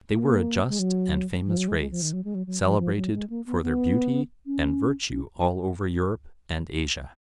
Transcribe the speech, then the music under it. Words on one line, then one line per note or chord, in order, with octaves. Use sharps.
They were a just and famous race, celebrated for their beauty and virtue all over Europe and Asia.
A#3
G#3
F#3
F3
F#3
G#3
G#3
F3
D#3
F#3
G#3
F#3
F#3
F3
F3
F#3
G#3
A#3
B3
B3
C#4
C#4